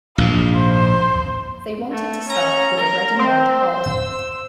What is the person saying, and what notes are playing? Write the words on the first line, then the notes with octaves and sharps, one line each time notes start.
They wanted to start with a ready made hull.
A#1 G#2 F5
C5
A3
C#4 A#5
A#4
C4 C5
E6